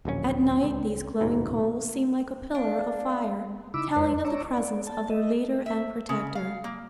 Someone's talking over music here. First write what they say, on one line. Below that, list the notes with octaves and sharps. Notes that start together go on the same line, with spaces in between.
At night these glowing coals seem like a pillar of fire, telling of the presence of their leader and protector.
D1 A#1 C3 C#4
C#2
D#1 C#2 G#2 B2
D4 F5
C#3 D#4 E4 B5 D6 E6
F2 G#3 B4 C#5 C6
C#5 D5 A#5 C#6 D6 E6
D5
A5
D#5 E5
E5
C#3
F5
A#3